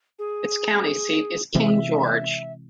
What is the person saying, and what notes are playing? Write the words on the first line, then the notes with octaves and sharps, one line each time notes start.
Its county seat is King George.
G#4
C3 E3 G#3 C4 E5